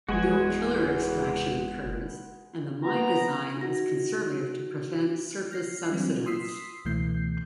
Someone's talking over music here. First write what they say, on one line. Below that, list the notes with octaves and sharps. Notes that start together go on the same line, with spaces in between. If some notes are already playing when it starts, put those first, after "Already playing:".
No pillar extraction occurs, and the mine design is conservative to prevent surface subsidence.
F#1 E2 G#3 F#4 B4 G#5
B3 A#5
D#4 F#4 A#6
F6 A#6 C7
E3 F#3 G3 C4 D4
C6 D#6 E6 B6 C7
C#2 B2 E3 A3 G6 C7